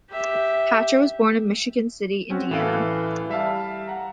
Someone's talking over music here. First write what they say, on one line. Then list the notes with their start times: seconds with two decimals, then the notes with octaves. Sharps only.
Hatcher was born in Michigan City, Indiana.
0.10 G4 E5
2.30 C4 C#4 F#4
2.50 A2 E3 A4 F5
3.29 G3 E5 F5 A5
3.88 F#5 A#5